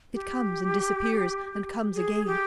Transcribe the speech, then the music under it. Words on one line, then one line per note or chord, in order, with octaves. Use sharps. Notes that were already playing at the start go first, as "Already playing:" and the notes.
It comes and disappears, and comes again.
G4
G#4
G4